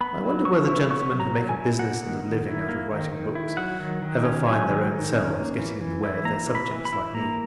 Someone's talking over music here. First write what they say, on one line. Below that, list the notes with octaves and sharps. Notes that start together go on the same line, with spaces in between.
I wonder whether the gentlemen who make a business and a living out of writing books, ever find their own selves getting in the way of their subjects, like me?
B3 B5
F#3
F#3 C#6
E4
B3 C#6
F#3
A#5
F#3
G#5
E4
A#3 F#5
D#3
D#3
E4
A#3
D#3
D#3
E4
F#3 F#5
D#3
D#3
C#4
F#3 G#5
D#3
D#3
C#4
A#3
E3
E3
E4
A#3 A#5
E3
B5
E3
B5
E4
A#3 A#5